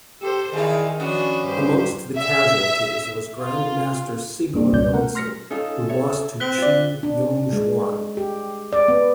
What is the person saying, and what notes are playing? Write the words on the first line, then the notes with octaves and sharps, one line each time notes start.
Amongst the casualties was Grandmaster Sigurjonsson who lost to Qi Jung Xuan.
G4 A4 C5
E2 D#3 E4 G#4
F3 B3 C#4 D4 F#4
G2 G4 C5
E5
F4
G2 A#3 D4
C#2 G2 C#4 D5 G6
A3 A#4 F#5
C6 F6 A#6 B6 C#7
C#4 D#4 F4 A4
E4 C#5 E5
C4 F#6 B6 G7
F4 D5
D4
G#3
G4
D5
B3